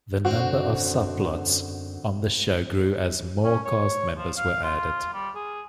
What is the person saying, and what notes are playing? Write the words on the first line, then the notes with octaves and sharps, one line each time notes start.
The number of subplots on the show grew as more cast members were added.
F#2 D3 C4 F#4
C#4
C#5
F3
F5
F4
G3
G#4